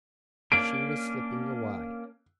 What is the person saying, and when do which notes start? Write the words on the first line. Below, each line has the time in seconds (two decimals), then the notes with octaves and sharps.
She was slipping away.
0.52 A#3 C#4 D4 D7